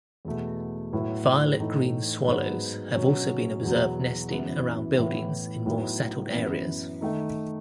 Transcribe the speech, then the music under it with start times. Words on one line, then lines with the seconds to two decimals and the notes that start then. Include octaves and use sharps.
Violet-green swallows have also been observed nesting around buildings in more settled areas.
0.25 E2 B2 A3
0.93 A2 F#3 B3 E4
1.60 A2 E3 A3 D#4
2.27 G#2 F#3 B3
2.95 B2 F#3 C#4
3.63 E2 B2 F#3
4.31 F#2 E3 B3 E4
4.98 A2 E3 B3 E4
5.66 A2 F#3 B3 D#4
6.33 F#2 E3 B3
7.01 D#3 A3 D#4